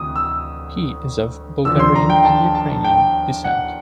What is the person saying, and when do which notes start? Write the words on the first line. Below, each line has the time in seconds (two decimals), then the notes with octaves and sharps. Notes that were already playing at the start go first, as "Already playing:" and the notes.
He is of Bulgarian and Ukrainian descent.
Already playing: D2 C3 E3 D#6
0.16 E6
1.65 D#2 D3 F3 E6
1.79 C6
1.95 A#5
2.10 G5
2.25 A5
2.55 A5
2.85 G5
3.44 F#5